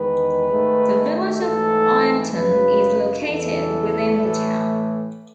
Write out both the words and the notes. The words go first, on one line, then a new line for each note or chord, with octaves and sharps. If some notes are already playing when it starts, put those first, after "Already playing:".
The Village of Ironton is located within the town.
Already playing: E2 D#3 G#3 B4
G#2 D#3 A3
G#2 E3 A3 A4
F#2 C#3 F#3 B4
E2 C#3 E3 A4
A2 E3 A3